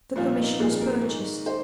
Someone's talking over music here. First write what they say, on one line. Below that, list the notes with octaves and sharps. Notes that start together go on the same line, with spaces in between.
The commission is purchased.
C2 A#2 F3 F4
D#4
C2 A#2 F3 G#4
A#4
G#2 D#3
C5